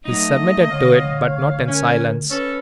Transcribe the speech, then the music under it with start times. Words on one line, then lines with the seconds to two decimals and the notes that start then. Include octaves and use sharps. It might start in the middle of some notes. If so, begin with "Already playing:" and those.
He submitted to it, but not in silence.
0.05 F#3 A3 D#4 D#5
0.71 D2 C#5 F5
1.68 C#4 A#4 G#5
2.30 C#4 A4 B4